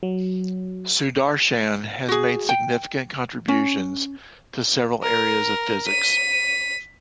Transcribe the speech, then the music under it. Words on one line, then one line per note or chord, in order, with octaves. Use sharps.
Sudarshan has made significant contributions to several areas of physics.
F#3
F#4 G#4
G5
C#4
A#4
B6 D#7